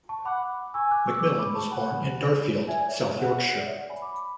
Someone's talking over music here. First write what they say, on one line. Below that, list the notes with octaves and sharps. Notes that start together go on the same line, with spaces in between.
McMillan was born in Darfield, South Yorkshire.
A5 C#6
F#5 B5 D6
G#5 C#6 E6
D6 F#6
C#6 E6
D6
C#6 E6
B5 D6
A5 C#6
F#5 G#5 B5
E5 G#5
D5
C#5 E5
F#5
D5
C#5 E5
D5 F#5
G#5 B5
B5 D6
B5 D6